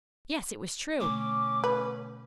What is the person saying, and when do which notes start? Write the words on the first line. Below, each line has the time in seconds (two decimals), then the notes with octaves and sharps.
Yes; it was true.
1.00 B2 D3 A3 C#4 D6
1.64 B4